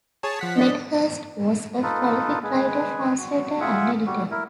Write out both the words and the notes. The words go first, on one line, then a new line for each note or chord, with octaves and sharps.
Medhurst was a prolific writer, translator, and editor.
G#4 C#5 A5
F3 F#5 B6
D4 D#5
D#4 F4 A4 B4
G#3 G#4 B4
F#4
F4 G#4 E5 F#5
G3 F#4
E4 A#4